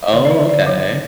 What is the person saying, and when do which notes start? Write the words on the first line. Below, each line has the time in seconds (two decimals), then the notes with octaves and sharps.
Oh, okay.
0.13 D3 C#5
0.25 D5
0.31 E5
0.40 D3
0.49 D5
0.66 F#3 C#5